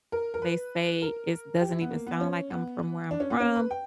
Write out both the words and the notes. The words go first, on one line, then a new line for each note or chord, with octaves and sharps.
They say it's doesn't even sound like I'm from where I'm from,
A#4
A#4
B4
A#4
G4
E4
B3
A#3
B3
C#4
B3
D4
C#4
B3
C#4
B4
G5